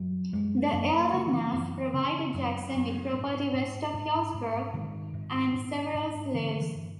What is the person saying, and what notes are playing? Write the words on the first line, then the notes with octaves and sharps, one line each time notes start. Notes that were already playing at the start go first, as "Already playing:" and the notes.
The elder Nash provided Jackson with property west of Hillsborough, and several slaves.
Already playing: F#2 F#3
F#2 G#3
F#2 A#3
A#3
C#3 A#3
D#3
E3
F#2 E3
C#3
F#2
F#2
G#2
G#2
G#2
G#2
G#2 D#3
G#2
G#2
G#2
D3 E3
E3
G2